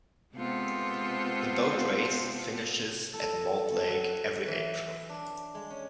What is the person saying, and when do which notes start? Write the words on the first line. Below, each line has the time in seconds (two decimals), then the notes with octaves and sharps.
The Boat Race finishes at Mortlake every April.
0.35 C3 G#3 B3 C4 F4 A4
3.13 A4
3.66 A4
3.89 F#3
4.48 E3
5.09 D4
5.55 G#3
5.70 C#4